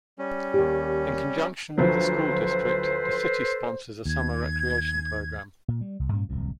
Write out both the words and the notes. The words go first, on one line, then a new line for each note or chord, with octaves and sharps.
In conjunction with the school district, the city sponsors a summer recreation program.
G3 C#4
D#2 G4
D2 F3 F#3 A4 B4 C5
D#2 G#6
A#2
G3
C2
G2 A#2 A#3 C#4
D1 C2 F2